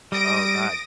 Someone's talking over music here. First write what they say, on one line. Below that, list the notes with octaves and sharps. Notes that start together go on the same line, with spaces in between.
Oh, god.
G3 D#6 A#6 D7